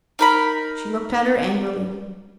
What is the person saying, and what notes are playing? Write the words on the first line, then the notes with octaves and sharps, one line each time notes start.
She looked at her angrily.
D#4 A#4 B5